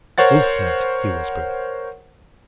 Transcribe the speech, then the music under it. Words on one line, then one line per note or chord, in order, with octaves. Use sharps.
"Wolf night!" he whispered.
A#4 C5 C#5 F#5 A6